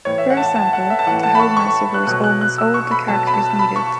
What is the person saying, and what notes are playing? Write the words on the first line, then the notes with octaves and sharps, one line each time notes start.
For example, Tahoma supports almost all the characters needed.
A2 E3 C#5
E5
F#5
A5
F#5
A5
F#5
E5
A5
A2 E3 F#5
A5
B5
C#6
C#6
F#6
B2 F#3 F#6
F#6
F#6
E6
C#6
B5
B2 F#3 A5
B5
A5
A5
B5
C#6